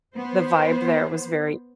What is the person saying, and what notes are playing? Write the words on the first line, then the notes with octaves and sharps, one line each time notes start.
The vibe there was very
B3 C5